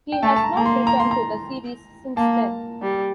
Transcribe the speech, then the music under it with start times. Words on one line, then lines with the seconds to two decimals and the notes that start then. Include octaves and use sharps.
He has not returned to the series since then.
0.12 G5
0.23 A3 A5
0.36 A5
0.44 A#5
0.54 A#3 A#5
0.66 C6
0.87 A#5
1.00 C6
1.11 A#5
2.17 A#3 A5
2.82 G3